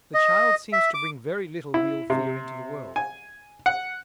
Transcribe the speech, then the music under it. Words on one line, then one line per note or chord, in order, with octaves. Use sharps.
The child seems to bring very little real fear into the world.
D#5
E5
D6
E4
C3
G#5
F#5